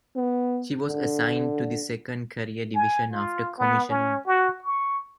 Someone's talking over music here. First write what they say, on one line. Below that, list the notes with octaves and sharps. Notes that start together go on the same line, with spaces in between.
She was assigned to the Second Carrier Division after commissioning.
B3
D3
G#5
F4
B3
C#4
F#4
C#6